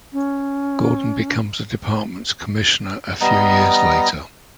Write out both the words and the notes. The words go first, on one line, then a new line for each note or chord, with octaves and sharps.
Gordon becomes the department's commissioner a few years later.
C#4
G3 B3 D#5 A#5